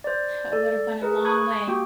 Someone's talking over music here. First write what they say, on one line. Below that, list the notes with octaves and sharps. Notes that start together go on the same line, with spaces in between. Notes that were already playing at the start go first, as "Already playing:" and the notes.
That would've went a long way.
C5 D5
A4 D5
G#4 A#4 B4
B5 C#6 D#6 F#6 G#6
A#3 F#4 G4 G5